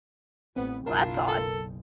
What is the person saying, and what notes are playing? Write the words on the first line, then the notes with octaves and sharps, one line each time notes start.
Well, that's odd.
A1 B3 C4
F#1 B1 D4 E4 F4 A#4
A4